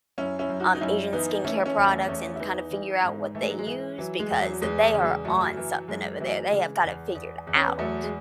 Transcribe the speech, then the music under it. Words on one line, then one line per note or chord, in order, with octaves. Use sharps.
um, Asian skincare products and kind of figure out what they use, because they are on something over there, they have got it figured out.
F#2 C#4 E4
C#4 E4
F#2
D#4 F#4
D#4
F#2 C#4 E4
E3 B3 D#4
E3 A3 C#4
A3 C#4
E2
A3 C#4
E2 A3 C#4
E4
E3 B3 D#4
E3
G#2
E3 A3
G#3
F#3
G#3
E3
E3 F#3
G#3
E2
F#3
E2 G#3
G#3
C#3
F#3
G#3
F#2 F#3 A3
E3
F#2 G#3
E3 F#3 A3
C#3 G#3
E2
E2
E2
C#4
B3
E2 F#3 A3
G#3